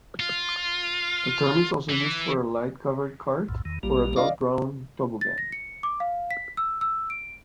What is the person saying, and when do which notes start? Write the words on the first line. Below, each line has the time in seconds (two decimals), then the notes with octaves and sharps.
The term is also used for a light covered cart or a dog-drawn toboggan.
0.20 F4
1.90 E3
3.49 B1 F2 A2
3.65 E2 D#3
3.83 A#1 G3 A#3
4.16 D4 F4 A#4 D5 D#5 F5
5.21 A6
5.38 A#6
5.52 C#7
5.83 D6
6.00 F5
6.31 B6
6.57 E6
6.81 E6
7.10 D7